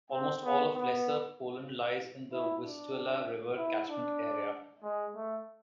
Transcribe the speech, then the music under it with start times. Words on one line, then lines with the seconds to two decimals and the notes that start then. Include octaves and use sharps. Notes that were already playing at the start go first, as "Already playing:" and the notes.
Almost all of Lesser Poland lies in the Vistula River catchment area.
0.12 C4
0.44 B3
0.75 B3
2.33 E4
2.64 D4
3.57 E4
3.90 D4
4.83 G#3
5.15 A3